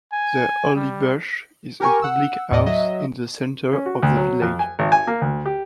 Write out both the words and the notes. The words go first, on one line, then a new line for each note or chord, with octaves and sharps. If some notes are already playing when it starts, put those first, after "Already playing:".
"The Holly Bush" is a public house in the centre of the village.
G#5
G3
G4 A#4 G#5 C#6
F#5 E6
D#2 A2 D5 D#5
F#3 D#5 E5
C#4
F#4
D2
F#3
F2
G#5
G#1
G#5
A#3
D2
G4